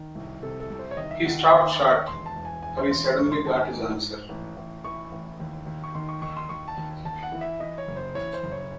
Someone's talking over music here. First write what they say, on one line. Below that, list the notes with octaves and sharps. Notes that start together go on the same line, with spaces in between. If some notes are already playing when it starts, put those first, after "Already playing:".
He stopped short, for he suddenly got his answer.
Already playing: D#3
C2
C3 A4
A4
C2
C5
C#5
D#3 D#5
E5
D#2 F#5
F#5
D#3 C6
C6
D#2
C#6
E1 C6
A5
E1
G#5
E2 G#5
C6
E1 C6
C6
G#2 C#6
C6
D#3 A5
G#5
G#2
G#2
A1
A1
E3 C#6
A1
D#2
D#2
C#6
D#3 C6
C#6
D#2 C#6
C6
D#2 C#6
A5
D#2
D#2 A5
F#5
E3
E5
E3 D#5
C#5
F#1
C5
E3 C#5
C5
F#1
C#5